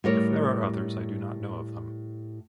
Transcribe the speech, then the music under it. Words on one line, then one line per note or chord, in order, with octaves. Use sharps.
If there are others, I do not know of them.
A2 G3 A#4 C#5